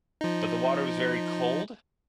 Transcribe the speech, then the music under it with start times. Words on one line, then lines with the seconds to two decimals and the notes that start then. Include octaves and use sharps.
but the water was very cold,
0.21 F3 D#4